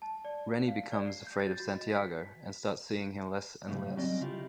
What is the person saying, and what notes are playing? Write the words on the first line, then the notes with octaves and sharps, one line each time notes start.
Reny becomes afraid of Santiago and starts seeing him less and less.
A5
D5
F5
D5
C7
G6
A6
F#4
D#5
B6
F#2 A2 C#3 G3
F#3 C4 C#4 D5 D#5
C#3 E4 F4 G4